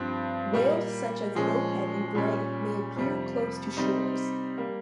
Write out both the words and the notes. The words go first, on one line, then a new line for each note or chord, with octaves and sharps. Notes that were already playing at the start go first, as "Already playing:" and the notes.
Whales such as Bowhead and Gray may appear close to shores.
Already playing: G2 F3 C4
A#2 G3 A#3
A#2 F3 G#3 C#4
A#2 G3 C#4
F2 C3 G3
C3 G3 C4 D#4
G3 A#3